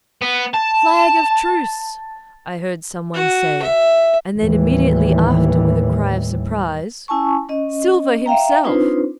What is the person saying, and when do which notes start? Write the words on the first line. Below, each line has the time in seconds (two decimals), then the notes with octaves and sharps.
"Flag of truce!" I heard someone say; and then, immediately after, with a cry of surprise, "Silver himself!"
0.22 B3
0.54 A5
3.14 F#4
3.62 E5
4.38 D#2 A2 E3 G3
7.08 C#4 E4 G#5 A5 C#6
7.49 C#4 D#5
8.26 E5 F5 G5 A#5
8.63 C4 D4 D#4 F4 B4 C5